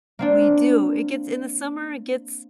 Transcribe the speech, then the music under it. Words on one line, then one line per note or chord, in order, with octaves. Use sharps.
We do. It gets in the summer, it gets,
A#3 C4 D4